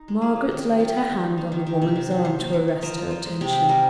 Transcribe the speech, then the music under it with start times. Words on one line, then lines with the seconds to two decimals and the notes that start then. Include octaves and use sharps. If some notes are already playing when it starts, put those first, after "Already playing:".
Margaret laid her hand on the woman's arm to arrest her attention.
Already playing: D#4
0.08 G#3
0.21 F3 G#4
0.36 F3
0.51 D#3
0.65 G3
0.80 G3 F4
0.95 D#3
1.09 D#3
1.24 D#4
1.38 A#3
1.52 D#3
1.66 D#3 G4
1.81 C3
1.96 D#3
2.10 D#3
2.25 D#3 C5
2.39 A#3
2.53 D#3
2.68 D#4
2.82 F3 A#4
2.98 F3
3.11 F3
3.26 G#3
3.41 C3 G4
3.55 C4
3.69 G3 A#4